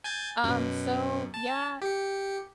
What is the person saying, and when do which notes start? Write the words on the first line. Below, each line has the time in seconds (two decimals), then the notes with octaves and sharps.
Um, so yeah,
0.04 G#5 G6 A6
0.44 F#2 B2
1.34 A5
1.82 G4 C#7